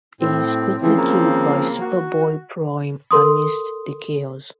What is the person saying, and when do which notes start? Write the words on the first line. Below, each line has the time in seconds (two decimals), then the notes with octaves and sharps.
He is quickly killed by Superboy-Prime amidst the chaos.
0.21 A2 C4
0.82 C#3 E3 F3 C4
0.98 A#3
1.81 F#4
3.11 A4 A#4 C6 D#6